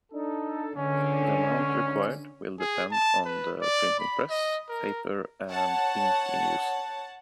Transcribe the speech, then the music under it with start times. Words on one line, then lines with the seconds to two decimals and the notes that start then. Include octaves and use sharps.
The amount required will depend on the printing press, paper, and ink in use.
0.12 D4 D#4 A4
0.76 C#2 D3 C#4
2.60 G#4
2.92 A5
3.25 B4
3.62 D5
3.99 B5
4.30 D#5
4.69 A#4
5.48 C#5 F#5 A5